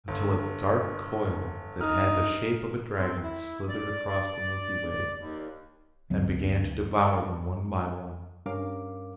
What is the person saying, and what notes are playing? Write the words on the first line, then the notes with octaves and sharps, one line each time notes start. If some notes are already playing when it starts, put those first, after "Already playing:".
Until a dark coil that had the shape of a dragon slithered across the milky way and began to devour them one by one.
G1
D#4 F6
C4
E4
D5
D#2
D2 F#3 C4
G2 C#4 A#4 F5 D6